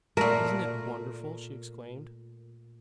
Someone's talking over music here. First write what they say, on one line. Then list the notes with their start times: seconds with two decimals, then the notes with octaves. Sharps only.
"Isn't it wonderful!" she exclaimed.
0.17 A#2 A3 A#4